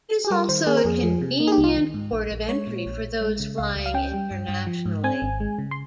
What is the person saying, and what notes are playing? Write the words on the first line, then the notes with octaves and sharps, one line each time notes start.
It is also a convenient Port of Entry for those flying internationally.
G#4
G3 A#4
D#3 C5
A#3 G#4
A#4
F2 G#4
F3
C3
A#3
G#4
G4
C2
F4
D#3
G#2
A#1
A#1
G#3 C#5
A#2
A#1
A#1
G#3
C#3
C#2 F5
C#2
F5
C#4 G5
G3
G2
G2
F3
G#2
C4 G#5
G#1
G#3
C#3
C6